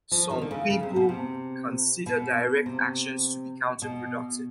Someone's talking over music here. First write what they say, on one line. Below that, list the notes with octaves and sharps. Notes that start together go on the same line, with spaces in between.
Some people consider direct actions to be counter-productive.
F3
D#3
D3
C#3
C#3
C3
B2
C3
B2
C3
B2